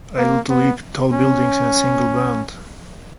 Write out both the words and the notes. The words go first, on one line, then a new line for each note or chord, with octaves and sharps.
Able to leap tall buildings in a single bound!
A#3
B3
C#4